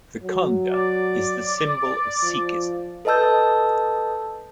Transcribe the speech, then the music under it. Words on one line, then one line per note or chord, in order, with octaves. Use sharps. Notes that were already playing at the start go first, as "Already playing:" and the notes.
The Khanda is the symbol of Sikhism.
F#3
D5
F3
A4 B4 D#5 A5 E6 G6